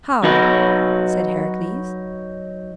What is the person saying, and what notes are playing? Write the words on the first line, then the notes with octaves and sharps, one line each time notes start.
"How?" said Heracles.
F#3 D#4 F#4 B4